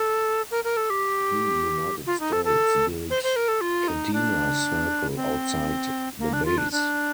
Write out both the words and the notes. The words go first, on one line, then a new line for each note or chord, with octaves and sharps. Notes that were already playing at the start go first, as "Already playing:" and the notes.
The United States built Kadena Circle outside the base.
Already playing: A4
A#4
A#4
A4
G4
F4
D#4
A4
A4
C5
C5
A#4
A4
F4
D#4
D4
C4
A#3
D4
F4
D4
D4